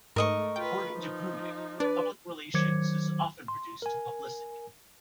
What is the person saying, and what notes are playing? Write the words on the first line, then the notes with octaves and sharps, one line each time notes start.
According to Grunig, public relations is often reduced to publicity.
G#2 A3 A#4 D#5 C#6
F4 B4 G5
F3 D#4
D4 B4 D5
D#3 F#3 C5 D6 G#6 C#7
C6
A#4 G#5